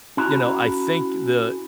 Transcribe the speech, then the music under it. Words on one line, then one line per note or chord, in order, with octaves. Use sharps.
you know, I think the
C#4 E4 F#4 A5 A#5